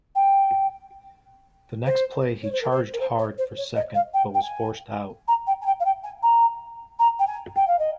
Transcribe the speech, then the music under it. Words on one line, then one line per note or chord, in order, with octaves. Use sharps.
The next play he charged hard for second but was forced out.
G5
C5
C#5
C5
A#4
C5
A#4
C5
C#5
C5
C#5
D#5
F5
G5
G5
G#5
A#5
G5
G#5
G5
F5
G5
G#5
A#5
A#5
G5
G#5
G5
F5
D#5